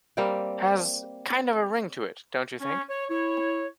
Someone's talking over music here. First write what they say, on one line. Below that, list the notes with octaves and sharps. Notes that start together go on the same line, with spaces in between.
Has kind of a ring to it, don't you think?
G3 A#3 C4 G5
C#4
C#5
E4 C#5